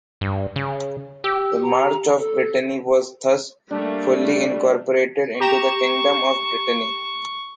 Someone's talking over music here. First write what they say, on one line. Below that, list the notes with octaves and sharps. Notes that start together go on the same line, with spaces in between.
The March of Brittany was thus fully incorporated into the kingdom of Brittany.
G2
C#3
G4 E6
A#5
A4
G3 A3 A#3 D4
G4 A#5 C#6 E7